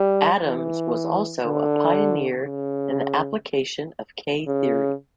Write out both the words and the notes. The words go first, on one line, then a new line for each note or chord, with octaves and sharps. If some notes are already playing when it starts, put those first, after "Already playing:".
Adams was also a pioneer in the application of K-theory.
Already playing: G3
E3
D3
C#3
C#3